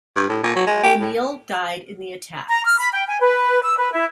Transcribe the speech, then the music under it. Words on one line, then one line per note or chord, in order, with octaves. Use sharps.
O'Neill died in the attacks.
G2
A2
A#2
F#3
G#3
G4
A2
A#5
F6
B5
G5
G#5
B4
E6
B4
E4